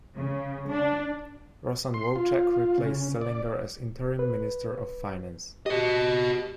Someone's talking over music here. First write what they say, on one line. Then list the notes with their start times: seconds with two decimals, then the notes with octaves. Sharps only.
Rosann Wowchuk replaced Selinger as interim Minister of Finance.
0.16 C#3
0.69 D4
1.94 C6
2.16 F4
2.78 C#3
3.21 D5
4.19 B4
5.66 F#4 G4 D#5